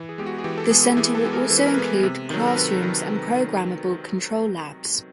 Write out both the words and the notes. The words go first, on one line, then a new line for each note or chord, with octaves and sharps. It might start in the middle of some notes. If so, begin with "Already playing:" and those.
The centre will also include classrooms and programmable control labs.
Already playing: E3
G#4
G#3 B3 G4
F#4
G#4
E3 G4
A4
G#3 B3 G#4
G4
E3 G#4
A4
G#3 B3
A#4
E3 C5
B4
A#4
G#3 B3 B4
C3
D#3 F#3
A4
A#4
C3 B4
D#3 F#3
C3
D#3